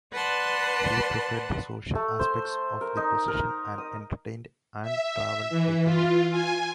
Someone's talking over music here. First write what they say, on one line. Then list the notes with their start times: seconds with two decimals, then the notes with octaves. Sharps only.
He preferred the social aspects of the position and entertained and travelled frequently.
0.12 B4 D5 F#5 A5 C6
1.95 A3
2.19 C5
2.81 A#4
2.97 D#4
3.28 A#4
3.78 D#6
4.82 E5
5.49 E3
5.83 F4
6.31 G#5